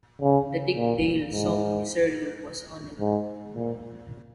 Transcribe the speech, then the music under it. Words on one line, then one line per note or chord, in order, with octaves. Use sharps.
The Dick Dale song "Miserlou" was on it.
C#3
A#2
G#2
G#2
A#2